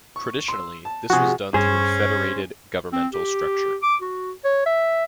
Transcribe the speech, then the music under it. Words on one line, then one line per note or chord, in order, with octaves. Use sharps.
Traditionally, this was done through a federated governmental structure.
C#6
C6 E6
A5
C3 F3 F#4 G#4
G2 C#4 G#4 C5 C#5
C4
G4
D6
F#4
C#5
E5